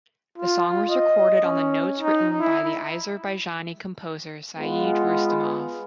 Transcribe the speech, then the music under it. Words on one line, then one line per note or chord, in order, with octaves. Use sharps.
The song was recorded on the notes written by the Azerbaijani composer Said Rustamov.
F4
D#5
C#4
D#4
E4
G#3 B3 F4